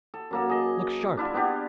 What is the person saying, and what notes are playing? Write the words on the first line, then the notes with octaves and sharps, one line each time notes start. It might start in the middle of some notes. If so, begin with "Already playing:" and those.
Look sharp!
A4
F#2 A#3 A4
G#4 D#5
D4 E4 F4
B3 D4 F4 G4